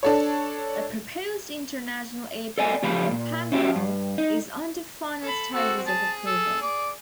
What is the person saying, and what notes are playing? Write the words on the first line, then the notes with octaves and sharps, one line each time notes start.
A proposed international airport near Panvel is under final stages of approval.
D4 A4 C#5
A4 D5 D#5 G#5
C#2 F3 A3 G4 F5 B5
A#2
C#4 E4 F#4 G4 E5
G2
D#4
A4 B5
C4 F#4 A4
G#4 A5
A4
D5